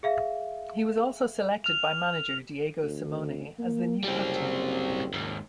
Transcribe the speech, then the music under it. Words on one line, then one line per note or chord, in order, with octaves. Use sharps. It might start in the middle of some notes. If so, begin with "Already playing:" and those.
He was also selected by manager Diego Simeone as the new captain.
G#4 E5 F5
F6 F7
D2
A#3
F#1 G3 C4
D#2 G#2